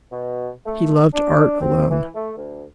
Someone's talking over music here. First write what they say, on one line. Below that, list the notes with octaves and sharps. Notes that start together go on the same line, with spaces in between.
He loved art alone.
B2
A3
D4
C4
E3
A3
D2